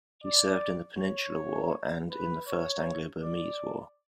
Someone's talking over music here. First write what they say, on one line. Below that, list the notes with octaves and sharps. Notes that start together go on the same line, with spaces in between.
He served in the Peninsular War and in the First Anglo-Burmese War.
D5
C#5
B4
C#5
D5